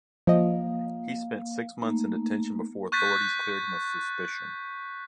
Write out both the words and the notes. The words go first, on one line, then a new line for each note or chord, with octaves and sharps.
He spent six months in detention before authorities cleared him of suspicion.
F3 A#3 D#5 F5
A3 A#3 D#4
C#6 F#6 G6 A6 B6